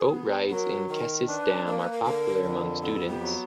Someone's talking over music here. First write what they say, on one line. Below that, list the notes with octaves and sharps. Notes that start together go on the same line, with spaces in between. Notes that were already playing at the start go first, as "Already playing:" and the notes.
Boat rides in Kesses dam are popular among students.
Already playing: G#4
B3
F#3 A#4
D#3 A#4
D4 B4
A#3 A#4
B4
A#4
D3 A#4
F2 A#4
B3 A4
G4
F#3